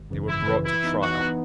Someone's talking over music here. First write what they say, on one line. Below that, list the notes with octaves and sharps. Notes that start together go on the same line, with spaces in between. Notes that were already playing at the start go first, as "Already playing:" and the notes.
They were brought to trial.
Already playing: G#1
F#2 C#3 E3
G#1 E4
F#2 C#3 E3
E3 E4
B3 D#4
E3 F#4
B3 D#4